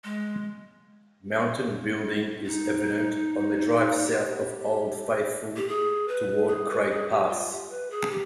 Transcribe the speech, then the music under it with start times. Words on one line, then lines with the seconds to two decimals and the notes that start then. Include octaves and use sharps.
Mountain building is evident on the drive south of Old Faithful, toward Craig Pass.
0.04 G#3
2.46 D#4
4.07 G4
5.56 G4
5.68 G#4
6.08 B4
6.48 G#4
6.69 B4
6.90 G#4
7.09 G4
7.29 F4
7.50 G4
7.69 B4
7.90 G#4
8.10 G4